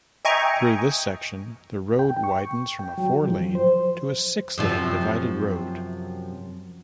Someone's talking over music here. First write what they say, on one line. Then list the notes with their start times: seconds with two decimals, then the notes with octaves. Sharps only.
Through this section, the road widens from a four-lane to a six-lane divided road.
0.25 D#5 E5 G5 G#5 A#5 C#6
1.99 G5
2.24 C#6
2.79 G5
2.98 F#3
3.28 F3
3.55 C5
4.58 F#2 C3 F3